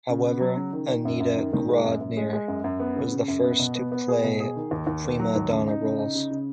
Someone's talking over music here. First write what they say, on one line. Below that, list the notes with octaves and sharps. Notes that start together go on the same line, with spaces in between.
However, Annetta Grodner was the first to play "prima donna" roles.
C#3
B3
F#3
C#3
D#3
D#3
F#2
F#2
D#3
D#3
G#3
F#2
F#2
G#3
G#3
F#2
F#2
B3
C#3
C#3
F#2
B3
B2
B3
B3
G#4
B2
G#4
D#3
D#2
D#2
D#3
F#3
D#2
C#3
D#4
C#3
D#4
C#3
C#3